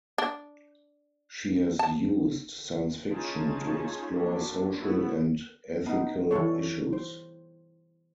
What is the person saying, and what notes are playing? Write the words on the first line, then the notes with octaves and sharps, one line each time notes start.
She has used science fiction to explore social and ethical issues.
D4
A5
C#4 D#4 F4 G#4 G#5 A5
F#3 A#3 C#4 D4 F4
A3 B3 E4 F#4
B3 D#4
E3 G3 A4 C#5
C5